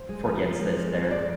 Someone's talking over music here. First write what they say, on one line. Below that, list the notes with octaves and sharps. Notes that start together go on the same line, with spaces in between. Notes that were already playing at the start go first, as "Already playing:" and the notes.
Forgets that it's there.
Already playing: C5
G#3
F3
F3
G#3
F3
G#3
C5
F3 D5